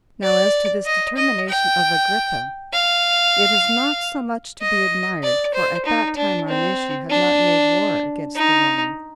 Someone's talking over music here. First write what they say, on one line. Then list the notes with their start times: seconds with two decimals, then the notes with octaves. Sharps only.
Now as to this determination of Agrippa, it is not so much to be admired, for at that time our nation had not made war against the Romans.
0.23 D5
0.85 D#5
1.17 D#5
1.49 G5
2.73 F5
4.61 D#5
5.23 D5
5.54 C5
5.86 D#4
6.17 D4
6.48 C4
7.10 D4
8.36 D#4